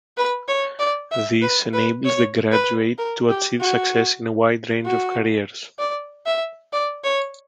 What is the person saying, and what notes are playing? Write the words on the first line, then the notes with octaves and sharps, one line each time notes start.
This enables the graduate to achieve success in a wide range of careers.
B4
C#5
D5
E5
B4
B4
C#5
B4
A#4
G4
F#4
F#4
D5
E5
D5
C#5